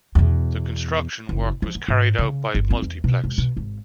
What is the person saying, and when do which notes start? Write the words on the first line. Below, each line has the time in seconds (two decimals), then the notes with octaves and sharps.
The construction work was carried out by Multiplex.
0.15 E2 B2
1.29 F#1
1.62 F3
1.75 B3
1.88 G#2
2.19 C#3
2.55 G1
2.70 C4
2.82 E2
3.04 B2
3.24 E1
3.38 B2
3.57 G#1